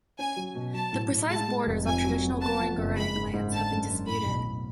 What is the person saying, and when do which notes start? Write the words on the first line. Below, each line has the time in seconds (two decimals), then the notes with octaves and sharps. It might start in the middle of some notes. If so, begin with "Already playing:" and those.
The precise borders of traditional Goreng Goreng lands have been disputed.
0.18 C#4 G#5
0.36 F#3
0.55 B2
0.74 F#3 A5
0.93 A2
1.11 A2
1.30 G#3 A5
1.48 G#3
1.67 F1
1.85 F2 G#5
2.04 F#3
2.22 F#3
2.41 B3 A5
2.60 F3
2.78 F#1
2.96 G#3 B5
3.15 G#2
3.33 G#2
3.52 D3 A5
3.71 F#2
3.89 F#2
4.07 A2 B5
4.26 B1
4.45 B1